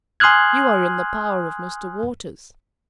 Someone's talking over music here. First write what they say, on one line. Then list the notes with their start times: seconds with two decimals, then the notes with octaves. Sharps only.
"You are in the power of Mr. Waters."
0.20 G#5 C6 D#6 F6 F#6 G#6